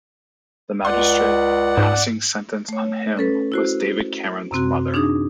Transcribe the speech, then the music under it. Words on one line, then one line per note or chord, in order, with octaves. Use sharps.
The magistrate passing sentence on him was David Cameron's mother.
C#2 D5 F#5 C6
G#2
A3 C#5
C#4 A4 B4
E4 F#4 C5
F#2 C3 C4 F#4
D4 D#4 G#4 D#6